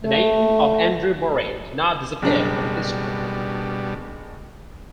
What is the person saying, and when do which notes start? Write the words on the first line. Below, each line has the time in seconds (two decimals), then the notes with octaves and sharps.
The name of Andrew Moray did not disappear from history.
0.01 A3
2.22 F#1 B2 G3 D4